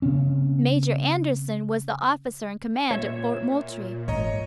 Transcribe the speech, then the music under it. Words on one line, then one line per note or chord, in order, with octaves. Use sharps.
Major Anderson was the officer in command at Fort Moultrie.
C#3 A#3 C4 C#4
A#2 C#5 E5
G#2 E3 C#5 D#5 A#5